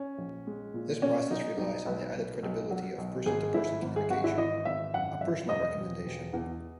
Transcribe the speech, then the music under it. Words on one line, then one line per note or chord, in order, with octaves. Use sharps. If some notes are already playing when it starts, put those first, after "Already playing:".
This process relies on the added credibility of person-to-person communication, a personal recommendation.
Already playing: C#4
A#1
G#3
A#2
B2 C#4
F#3 D#4
B1 D#4
B1 B4
B1
B1
F#3
B1
G#1 G#4
G#1 E4
G#1
G#4
G#1 F#4
E4
E3 D#5
G#1 E5
F#2 F#5
F#2 E5
E1 D#5
E1
E1
E2